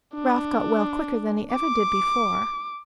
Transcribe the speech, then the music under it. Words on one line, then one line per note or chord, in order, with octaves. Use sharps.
Ralph got well quicker than he ever did before.
D4
D6